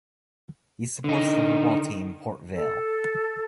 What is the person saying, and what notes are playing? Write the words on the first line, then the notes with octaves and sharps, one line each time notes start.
He supports the football team Port Vale.
D3 D#4
A4